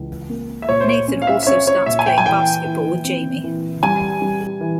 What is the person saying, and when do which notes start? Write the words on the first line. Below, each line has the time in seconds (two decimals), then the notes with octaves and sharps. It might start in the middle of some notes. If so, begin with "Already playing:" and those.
Nathan also starts playing basketball with Jamie.
Already playing: C#2 C#3 E3
0.30 A#3
0.62 E5
0.69 A#2 C#5
0.81 C5
0.88 C#5
1.08 C#4
1.22 F5
1.27 E5
1.43 E5
1.47 C#4 C#5
1.67 C#5
1.86 A#2 E5
1.99 G#5
2.06 G5
2.18 G#5
2.26 E3 G5
2.65 E3
3.04 C4
3.44 E3
3.83 G3 G#5
4.22 G3
4.61 E3